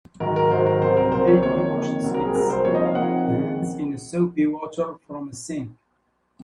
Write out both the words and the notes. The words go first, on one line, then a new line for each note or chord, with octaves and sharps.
A baby washes its hands in soapy water from a sink.
G#2 D#3 F#3 A#4
A#4
G#2 D#3 F#3 C5
A#4
C2 C3 F#3 C5
A#4
C2 C3 F#3 C5
C#5
F2 D#3 A#3 C#5
F2 D#3 A#3
C2 C3 F#3 C4
A#4
G#4
C2 C3 F#3 C4 A#4
C5
C3 F3 A#3 D#4 C#5
D#5
F5
C3 F3 A#3 D#4 F#5
F2 D#3 G#3 C#4